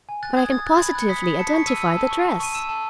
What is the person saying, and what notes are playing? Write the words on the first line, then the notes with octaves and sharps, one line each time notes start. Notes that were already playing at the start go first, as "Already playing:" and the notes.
"But I can positively identify the dress."
G#5
F#6 A6
D#6 G#6
D#6 A6
F#6 A6
G#6
B5 A6
F#6 C#7
D#6 B6
D#6
A5 C#7
B6
C#6
C#7
E6 D#7
E6
A5
C#6
A5
C#6 D#7
E6 E7
A5